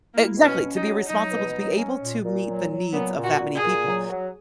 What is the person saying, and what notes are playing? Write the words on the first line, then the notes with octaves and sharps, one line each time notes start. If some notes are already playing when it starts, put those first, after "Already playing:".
Exactly, to be responsible, to be able to meet the needs of that many people
A#3 E4
B2
C#4
C#4
D#4
F#3
F#3 D#4
B2
F#3
C#4
A#2
A#2
F#3
F#3
A#2 B3
A#2
F#4
A#2
G#4
A#2
F#3
F#3